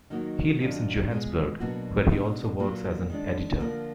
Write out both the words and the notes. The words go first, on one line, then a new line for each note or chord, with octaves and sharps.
He lives in Johannesburg where he also works as an editor.
D#3 F#3 A#3 D#4 F#4
F2 D#3 F#3 D4
B2 G#3 B3 F4 G#4
B2 F#3 A#3 D4 F#4
B2 G#3 D4
A#2 F#3 A#3 F4
D#3 G#3 D4
D3 F3 A#3 F4 A#4